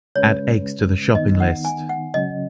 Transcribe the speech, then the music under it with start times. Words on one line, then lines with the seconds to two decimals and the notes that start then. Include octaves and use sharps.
Add eggs to the shopping list!
0.16 C#3 G#3 C#4 B4 C#5
1.15 D#3 B3 D#4 D#5
1.40 F#5
1.65 G#5
1.89 F#5
2.14 C#3 F#3 C#4 D#5